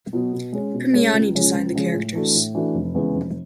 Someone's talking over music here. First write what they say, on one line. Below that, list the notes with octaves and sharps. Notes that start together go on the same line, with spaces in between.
Premiani designed the characters.
B2 F#3 B3
B2
G#3 C#4
B2
G#3 C#4
C#2
C#3 F3 G#3 C#4
C#2
C#3 F3 G#3 C#4
A2
E3 A3 D4 F#4
A2
E3 A3 D4 F#4
F1
E2 C#3 E3 G#3
F1